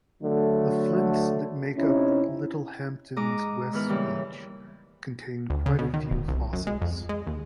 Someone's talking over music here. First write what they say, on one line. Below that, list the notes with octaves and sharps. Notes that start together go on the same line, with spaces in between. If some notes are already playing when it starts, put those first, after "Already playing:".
The flints that make up Littlehampton's West Beach contain quite a few fossils.
D3 F#3 A3
C3 C#4 D#4 E4
G#2 G#3 D#5 A#5 D6 D#6
G#2 D#3 E3 B3 B4 F6
D#2 A#2 C#3 E3 G3
D2
C#3
B2
D#3
D1
C2
F#2
G#3
F2
G#3
D#2